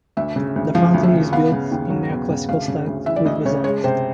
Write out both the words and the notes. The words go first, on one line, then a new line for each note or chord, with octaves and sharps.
The fountain is built in Neoclassical style with basalt.
D2 E5
C#3
D2
F3 F5
D2
E5
C#3
B3 F5
C#3
D#2
F#3
B3
C#3
D2 F5
C#3
D2
E3 E5
D5
D2 D#5
C#3 C#5
G#3 C#5
C3 C5